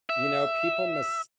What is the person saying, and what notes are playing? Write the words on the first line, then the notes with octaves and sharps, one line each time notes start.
You know, people mis
E5